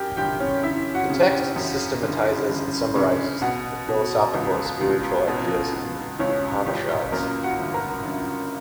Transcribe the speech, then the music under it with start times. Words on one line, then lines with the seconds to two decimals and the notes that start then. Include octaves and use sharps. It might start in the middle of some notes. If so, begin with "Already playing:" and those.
The text systematizes and summarizes the philosophical and spiritual ideas in the Upanishads.
Already playing: F#2 G4 A#4 G5
0.17 G1 G4 G5
0.40 C#4 C#5
0.63 G1 E4 E5
0.94 F#4 F#5
1.10 C#3
1.25 G4 G5
1.56 F#2
2.03 G1
2.49 G1
2.95 C#3
3.42 B2 F#4 F#5
3.88 B2
4.34 C#2
4.81 C#2
5.27 B2
5.73 B2
6.19 C#2 C#4 C#5
6.66 C#2 G4
7.12 F#2 A#3 A#4
7.43 F#4 F#5
7.59 G1
7.74 A#4 A#5
8.05 G1